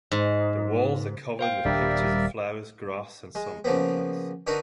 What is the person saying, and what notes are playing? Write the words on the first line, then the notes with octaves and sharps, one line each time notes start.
The walls are covered with pictures of flowers, gras and sunpatterns.
G#2
C5 F5 G5
D#1 G3 D4 A#4 D5 E5
G#3
C#3 F3 A#3 B3
D3 D4 D#4 F#4 A#4 B4